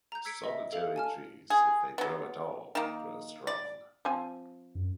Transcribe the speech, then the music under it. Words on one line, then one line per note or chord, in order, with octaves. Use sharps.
Solitary trees, if they grow at all, grow strong.
A#5 G6
E6 G#6 B6 C#7 D7
D#5 E5
A4 F5 F7
G#5 A5 F6
G#4
F#3 B3
D#3 A#3
D5
F3 C4 G#5
F#2